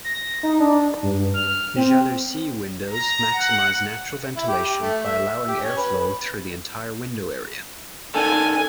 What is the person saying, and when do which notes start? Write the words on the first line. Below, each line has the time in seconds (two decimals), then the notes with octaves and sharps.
Jalousie windows maximise natural ventilation by allowing airflow through the entire window area.
0.04 A#6
0.43 D#4
0.60 D4
1.03 G2
1.34 F6
1.76 C4
2.90 A#5
3.33 F#5
4.36 E4
4.48 G4
4.81 A3
5.01 E5
5.47 G4
5.62 C#4
5.77 B4
8.14 D#3 C#4 A4 G#5